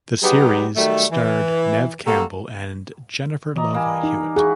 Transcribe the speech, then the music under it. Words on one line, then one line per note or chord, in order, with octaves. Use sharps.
The series starred Neve Campbell and Jennifer Love Hewitt.
F#3 G3 B3 D#4 G4 G#4
D#3 F#3 G3 A3
E3
G3 A#3 F#4 A4
E3 D5 D#5 A#5
G3 A#3 G#5
D#4
E4 F#4 G#4